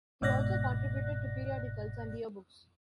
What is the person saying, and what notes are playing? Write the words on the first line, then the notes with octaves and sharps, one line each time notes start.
He also contributed to periodicals and year books.
G1 G#2 B2 D5 F#6 A#6